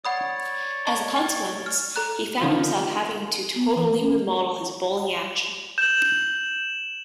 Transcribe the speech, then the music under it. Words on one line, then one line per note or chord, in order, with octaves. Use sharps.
As a consequence, he found himself having to totally remodel his bowling action.
C#5 D5 F#5 B5 D#6
D#5 A5 C#6
G5
F6
A4 A#5 F#6
D3 D#3 F3 F4
B3
E3
A3
C#4
G6 E7 F#7